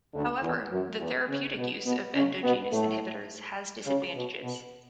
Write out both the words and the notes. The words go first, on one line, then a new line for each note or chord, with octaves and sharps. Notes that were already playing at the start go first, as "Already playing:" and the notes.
However, the therapeutic use of endogenous inhibitors has disadvantages.
D2 D3
E2 E3
F#2 F#3
E2 E3
C#3 C#4
B2 B3
B2 B3
C#3 C#4
B2 B3
A2 A3
C#3
B2
B2